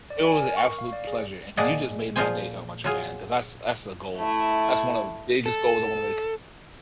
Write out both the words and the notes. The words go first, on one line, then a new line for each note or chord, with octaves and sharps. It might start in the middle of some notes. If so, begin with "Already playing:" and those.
It was an absolute pleasure, and you just made my day talking about Japan, 'cause that's that's the goal. That's one of the biggest goals I wanna make.
D5
G#5
A#4
C#6
F5
D5
G#4
A#2 F3 G#3 G#4 D5 F#5
A#2 F3 F4 G#4 C5 G#5
F#3 F4 G#4
A3 E4
A4